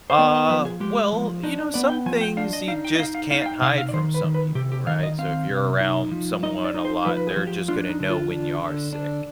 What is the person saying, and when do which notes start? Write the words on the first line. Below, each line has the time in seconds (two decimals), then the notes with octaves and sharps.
Uh, well, you know, some things you just can't hide from some people, right? So, if you're around someone a lot, they're just gonna know when you are sick.
0.10 C5
0.19 B3 D5
0.35 D#5
0.50 F3 B4
0.65 G#4
0.80 G#3 G4
1.12 F3
1.43 D4 D#4
1.59 D#4
1.74 B3 D5
1.90 G5
2.06 F3 G#5
2.21 G5
2.37 D4 F5
2.53 D#5
2.68 D#4 F5
2.85 G5
2.95 D#5
2.99 D#4 F5
3.15 F5
3.31 D#4 F5
3.42 F5
3.46 G5
3.61 C3 F5
3.78 F5
3.89 D5
3.93 D#3 C5
4.14 B4
4.24 D#3
4.34 B4
4.55 C3 G4
4.72 G4
4.87 D#3 F5
5.03 D#5
5.18 C4 F5
5.50 C3
5.81 D#4
6.11 F3
6.43 D#4 D#5
6.65 D5
6.74 D#4
6.85 C5
7.05 F3 B4
7.17 B4
7.27 G#4
7.37 F3
7.47 G4
7.68 D4 F4
7.90 D#4
8.00 D3
8.10 F4
8.31 D4
8.62 D3
8.93 D4